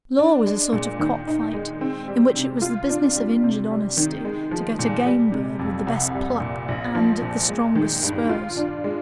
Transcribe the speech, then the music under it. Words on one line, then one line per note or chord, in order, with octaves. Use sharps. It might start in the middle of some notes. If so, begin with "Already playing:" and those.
Law was a sort of cock-fight, in which it was the business of injured honesty to get a game bird with the best pluck and the strongest spurs.
D4
G#3
A#2
D#3
D#4
G#3
C4
G3
C3
F4
D4
G3
C3
G3
D#3
G#3
F3
A#2
G3
C3
F2
C2
G3
A#2
A#1
F3
A#2
G#3
D#3
G2
F4
D4
G#3